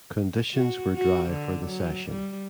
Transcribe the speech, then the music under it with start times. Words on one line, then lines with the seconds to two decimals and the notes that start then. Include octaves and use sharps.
Conditions were dry for the session.
0.54 F#4
0.96 F#4
1.30 D3
1.67 F#3
2.09 G3